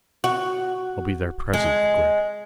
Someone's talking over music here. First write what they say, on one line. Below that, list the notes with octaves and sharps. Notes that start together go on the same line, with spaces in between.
"I'll be there presently, Gregg."
F#4
G#3